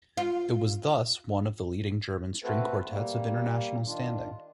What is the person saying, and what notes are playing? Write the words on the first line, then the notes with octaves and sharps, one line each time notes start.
It was thus one of the leading German string quartets of international standing.
F4
A3 C4 F#4 A4 B4 C5
G3 A#3
D#3 D4 F4